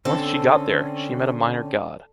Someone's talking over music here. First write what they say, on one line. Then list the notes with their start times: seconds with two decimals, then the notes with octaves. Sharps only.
Once she got there, she met a minor god.
0.05 D3 C4 C#4 A4